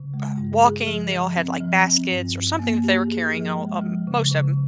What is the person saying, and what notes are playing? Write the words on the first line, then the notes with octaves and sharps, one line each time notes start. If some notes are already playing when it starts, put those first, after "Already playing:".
uh, walking, they all had, like, baskets or something that they were carrying, all uh most of 'em,
Already playing: C#3
G#3
G2
G#4
F3
F3
C4
F3
C4
G2
G2
A#3
G4
G#4
F3
G#3
F3
C#3
C#3